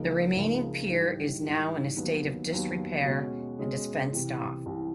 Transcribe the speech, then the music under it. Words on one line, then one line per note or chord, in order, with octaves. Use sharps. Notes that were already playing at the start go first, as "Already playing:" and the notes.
The remaining pier is now in a state of disrepair and is fenced off.
Already playing: C#2 C#3 F3 A#3 D#4
C#2 C#3 F3 A#3 D#4
G#2 E3 G3
G#2 E3 G3
D#2 D#3 F#3 B3
D#2 D#3 F#3 B3
B2 G#3 C#4 F#4
B2 G#3 C#4 F#4
C2 C3 E3
C2 C3 E3